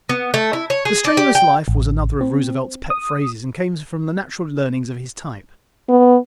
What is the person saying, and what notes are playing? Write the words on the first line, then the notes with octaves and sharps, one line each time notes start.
"The strenuous life" was another of Roosevelt's pet phrases and came from the natural leanings of his type.
B3
A3
E4
C#5
G#4
D4
G4
G5
A1
C4
D#6
B3